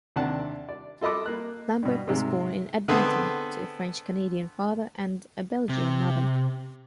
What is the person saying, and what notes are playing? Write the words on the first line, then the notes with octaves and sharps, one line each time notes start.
Lambert was born in Edmonton, to a French Canadian father and a Belgian mother.
D#2 C3 D4 F#5 A5
D5
F4 A4 D#5 B5 D6
A#3 F#6
G2 B2
G#2 C3 G#3
D3 B3 C4 G#4 A4
C3